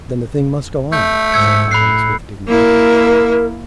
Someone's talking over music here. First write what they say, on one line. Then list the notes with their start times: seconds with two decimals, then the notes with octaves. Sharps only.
"Then the thing must go on," said Adams, with dignity.
0.92 A3 G6
1.32 G#2 E6 G#6 C#7
1.71 A2 B5 F#6 C7
2.48 A#3 E4 A#4